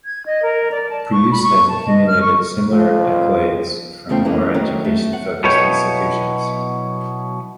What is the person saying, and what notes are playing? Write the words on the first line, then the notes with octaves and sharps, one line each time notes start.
Preuss has accumulated similar accolades from more education-focused institutions.
G#6
D#5
A#4
D5
A5
C#6
B5
C#6
A5
D#5
F6
C#6
F3
F2 C#3 A3 F4 C5 G5
E3 F#3 G#3 A#3 C#4 E4
D#3 F#3 A3 C4 D4
A3
F#5
B2 F#3 B3 E4 C#5 G5